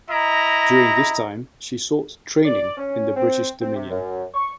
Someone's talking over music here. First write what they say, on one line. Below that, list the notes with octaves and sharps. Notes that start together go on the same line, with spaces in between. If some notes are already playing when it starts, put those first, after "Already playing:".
During this time she "sought training in the 'British Dominion'".
E4 D#5 A#5
D5
C#4
C4
C4
C3
F#2
C#6